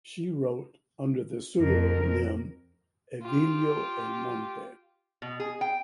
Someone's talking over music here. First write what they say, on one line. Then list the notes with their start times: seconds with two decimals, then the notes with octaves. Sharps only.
She wrote under the pseudonym "Evelio El Monte".
1.57 F2 A#4
3.22 F4 G4
5.22 B2
5.40 G#4
5.61 G5